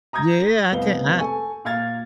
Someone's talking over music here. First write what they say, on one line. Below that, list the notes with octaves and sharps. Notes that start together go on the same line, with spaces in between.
Yeah, I can't I
A#5 D#6 G6 G#6 A#6
F1 C2 B3 C4 F5 G7
A4 G#5 C#6
A#2 F5 F6 G#6 A6